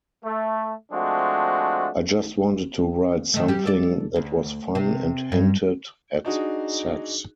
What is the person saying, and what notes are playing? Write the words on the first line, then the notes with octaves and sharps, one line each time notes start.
I just wanted to write something that was fun and hinted at sex.
A3
F3 G#3 A3 C4 D4 F#4
D#3 A3
G3 G4
A4 D5
D2
C3
G2
D4 D#4 F#4 G#4